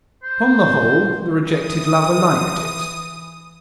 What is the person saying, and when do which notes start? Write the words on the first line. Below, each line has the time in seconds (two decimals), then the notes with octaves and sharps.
Upon the whole the rejected lover liked it.
0.23 C5
1.45 E3 D#6